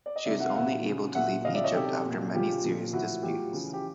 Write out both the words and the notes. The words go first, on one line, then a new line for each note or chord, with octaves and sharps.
She was only able to leave Egypt after many serious disputes.
D5
D#5
C3 D#3 F#3 D5 E5
E5 F#5
F5
A#2 F#3 E5 F#5
C#3 F#3
A#2 F#3 E5 F#5
C#3 F3 D#5 F5
D5 E5
C#5 D#5
C3 D#3 F#3 G4 A4
A#2 F#3
C#3 F3 F4 G4
A#2 F3
A2 F3 E4 F#4
A2 F#3 F4 G4
C#3 E3
G4